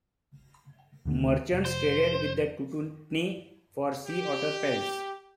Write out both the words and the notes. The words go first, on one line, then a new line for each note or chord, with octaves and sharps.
Merchants traded with the Tututni for sea otter pelts.
D#2 D3 A3
F1
C5
G4